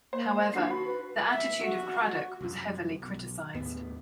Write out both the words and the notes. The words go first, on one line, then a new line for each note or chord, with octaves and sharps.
However, the attitude of Cradock was heavily criticised.
A#3 C5
D#2 D4 F#4 C7
F#4 B5
B4
E5
F#4
C2 F#2
B1
D#2 A2 B3